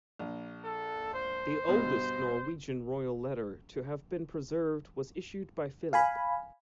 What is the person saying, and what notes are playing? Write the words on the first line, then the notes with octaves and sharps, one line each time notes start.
The oldest Norwegian royal letter to have been preserved was issued by Philip.
A#1
A4
C5
G2 B2 B3
F5 G#5 B5